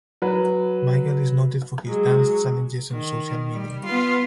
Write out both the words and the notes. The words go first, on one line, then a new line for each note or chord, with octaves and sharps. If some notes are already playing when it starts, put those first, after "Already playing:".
Michael is noted for his dance challenges on social media.
F#3 B4
F#3 G#3
D#3
G3
B3 F4